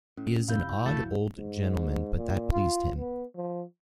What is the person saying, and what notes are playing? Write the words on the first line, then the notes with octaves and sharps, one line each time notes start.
He is an odd old gentleman, but that pleased him.
A2 C#4
F1 F2 C3 E4 F5 G6
D#1 G#1 F#3 A3
G#2
A#2
F4
B3
F3